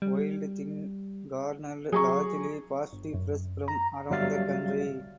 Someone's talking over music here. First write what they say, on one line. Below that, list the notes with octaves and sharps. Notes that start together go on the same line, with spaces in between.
Wild Thing garnered largely positive press from around the country.
G3
F#3 G#4 A#5 C#6
G1
F#2
A#5
G1 F#3 G3 E5 F5 A6